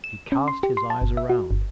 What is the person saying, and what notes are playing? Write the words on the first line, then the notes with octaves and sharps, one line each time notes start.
He cast his eyes around.
E7
C#4
C6
G4
C6
A5
G1
E5
F#4
G1